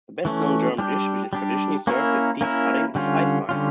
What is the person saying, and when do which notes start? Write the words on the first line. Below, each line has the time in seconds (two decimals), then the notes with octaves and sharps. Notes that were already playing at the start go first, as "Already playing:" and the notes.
The best-known German dish which is traditionally served with pease pudding is Eisbein.
0.25 E3 A3 C#4
0.78 G3 D4 G4
1.33 G3 D4 G4
1.87 A#3 C#4 E4 A#4
2.41 A#3 C#4 E4 A#4
2.95 D3 G3 C#4 F4
3.49 D3 G3 C#4 F4